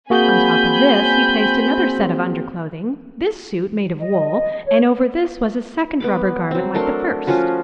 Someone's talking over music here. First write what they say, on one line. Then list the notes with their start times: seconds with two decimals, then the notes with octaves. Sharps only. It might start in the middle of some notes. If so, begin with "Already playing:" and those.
On top of this he placed another set of under-clothing, this suit made of wool, and over this was a second rubber garment like the first.
0.10 A#3 C4 F#4 G#4 G#5 B5 G6
4.00 D#5
4.66 C#5
6.00 B3 B5 D6
6.51 F#3 C4
6.75 A3 D4 A#4 C6
7.27 F3 C#4 F4 F#4